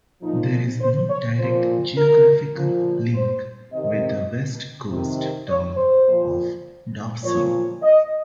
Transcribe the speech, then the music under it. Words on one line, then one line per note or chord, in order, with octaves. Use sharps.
There is no direct geographical link with the West Coast town of Dobson.
A#2 F3 D#4
C5
C#5
A#2 F3 C5
A#4
A#2 F3
C5
C3 D#3 D#5
C3 D#3
C#5
C5
A#2 F3
A#2 F3 C#5
D#5